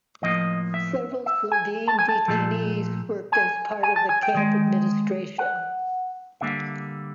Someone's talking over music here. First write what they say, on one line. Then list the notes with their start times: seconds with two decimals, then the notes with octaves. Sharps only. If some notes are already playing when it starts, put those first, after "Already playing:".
Several Slovene detainees worked as part of the camp administration.
0.22 A2 F3 A#3 D#5
0.74 E5
1.26 E5
1.52 G#5
1.88 A5
1.99 G#5
2.09 A5
2.28 A#2 F3 A3
3.32 G#5
3.83 G#5
3.96 A5
4.09 G#5
4.23 G5
4.34 D#3 G#3
5.38 F#5
6.41 D3 G3 A#3 E5